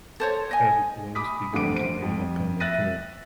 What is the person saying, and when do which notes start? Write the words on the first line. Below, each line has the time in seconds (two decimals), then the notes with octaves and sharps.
Heavy blows began to rain upon the door.
0.20 A4 C5 C#5
0.51 D#5 G#5
1.15 B5 D6 D#6 B6
1.53 A1 F2 D3 F#5 D6 D7
1.73 C5 D7
2.02 F2
2.60 E5 F#6 A6 A#6 D#7